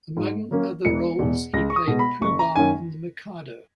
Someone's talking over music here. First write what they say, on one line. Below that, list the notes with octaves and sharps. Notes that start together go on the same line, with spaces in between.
Among other roles, he played Pooh-Bah in "The Mikado".
G#2
F#3 A#3 C#4
E1 C#7
E2 B2
C#2 A#6
C#6
D#6
B2 G#3
B5
F#1 C#6
A#5
F#2 D#3 A#3 C#4 G#5